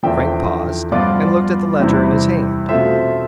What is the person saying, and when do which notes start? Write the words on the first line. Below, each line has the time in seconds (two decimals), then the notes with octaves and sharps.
Frank paused, and looked at the letter in his hand.
0.03 E2 D3 F3 E5 G5
0.91 G2 F3 B3 F4 D5 F5
1.79 E2 C3 G3 C4 E4
2.69 B2 A3 C4 F4 C5 E5